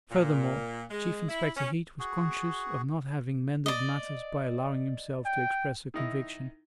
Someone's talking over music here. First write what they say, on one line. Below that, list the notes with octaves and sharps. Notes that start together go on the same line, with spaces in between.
Furthermore, Chief Inspector Heat was conscious of not having mended matters by allowing himself to express a conviction.
A#2
G#3
E4
C#4
F#4 G#4
D5 D#5
G5
D#3 D#4 E4